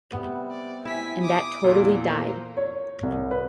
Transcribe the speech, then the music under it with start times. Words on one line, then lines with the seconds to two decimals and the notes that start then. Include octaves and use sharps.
And that totally died.
0.13 C3 G3 B3
0.50 D5
0.85 E4 G#5 B6
1.22 D6 D#6
1.64 E2 A#2 A4
2.04 A#3 C5
2.57 C#5
3.03 C2
3.31 B4